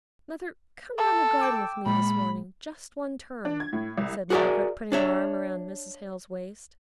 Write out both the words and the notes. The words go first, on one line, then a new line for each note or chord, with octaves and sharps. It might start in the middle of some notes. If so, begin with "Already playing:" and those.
'Mother, come round the garden with me this morning; just one turn,' said Margaret, putting her arm round Mrs. Hale's waist.
A4
G5 D6 E6
A#2 G#3 B5
D4
G#6
A2
C2
F#4 G#4 A#4 C#5 D5 E5
D4 C#5 E5